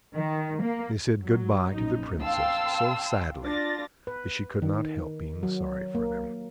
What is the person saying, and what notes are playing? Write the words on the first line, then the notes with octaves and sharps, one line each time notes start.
They said good-by to the Princess so sadly that she could not help being sorry for them.
D#3
A#3
F#3
A#1 F#2 D#4
F5 G5 A5 C6 E6
D4 F4 A6 A#6
B4
D#3
F#3
A#3